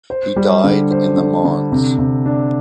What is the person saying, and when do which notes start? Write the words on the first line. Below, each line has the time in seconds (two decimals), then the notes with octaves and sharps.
He died in the manse.
0.10 C5
0.36 G3
0.64 D3
0.91 C5
1.17 D3
1.45 D3
1.72 C3
1.98 C3
2.26 D4